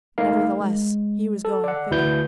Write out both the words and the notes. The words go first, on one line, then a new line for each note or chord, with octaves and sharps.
Nevertheless, he was going thither.
A3 D#4 A#4 F5
G#3
A4
D5 F#5
D2 E4 F#4 B4 G6